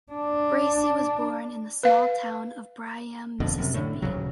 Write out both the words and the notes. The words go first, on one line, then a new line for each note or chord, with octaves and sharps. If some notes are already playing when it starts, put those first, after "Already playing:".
Bracey was born in the small town of Byram, Mississippi.
D4
B4 F5
F#1 F2 B2 D3
F#2 C3
A2 D3
D#1 B1 C#3 F#3